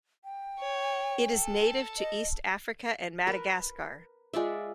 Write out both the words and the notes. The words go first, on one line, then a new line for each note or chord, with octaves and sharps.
It is native to East Africa and Madagascar.
G5
C#5
A4
D#5
A#4 B4
G#3 F4 D5 E5